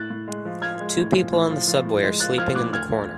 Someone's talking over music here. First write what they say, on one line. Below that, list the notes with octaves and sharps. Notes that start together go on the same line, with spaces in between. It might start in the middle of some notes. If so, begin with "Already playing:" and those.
Two people on the subway are sleeping in the corner.
Already playing: A2 F#6 A6
A2
G#3
F3
F3 F6 G#6
G#3
A2
F3
A2
F3
F3
A2
G#3
F3 F#6 A6
F3 F6 G#6
A2 D6 F#6
D2 F6 G#6
F3